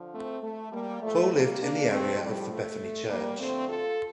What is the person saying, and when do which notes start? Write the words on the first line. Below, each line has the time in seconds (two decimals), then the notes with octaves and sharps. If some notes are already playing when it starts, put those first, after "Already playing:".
Hall lived in the area of the Bethany Church.
Already playing: D3 F3
0.13 A3 C4
0.43 A3
0.72 G3 A#3
1.02 A2 F3 A3
1.31 G3 A#3
1.61 A#3 D4
1.90 A3 C4
2.20 A2 F3 G3
2.49 A3
3.09 G3 A#3
3.38 D2 D3 F3 A3 C4
3.68 F4 A4